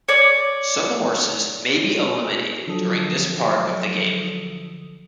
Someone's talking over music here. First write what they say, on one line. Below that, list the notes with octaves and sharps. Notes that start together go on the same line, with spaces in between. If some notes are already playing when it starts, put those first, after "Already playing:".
Some horses may be eliminated during this part of the game.
C#5 D5
D3 F3 F#3 A4 D#6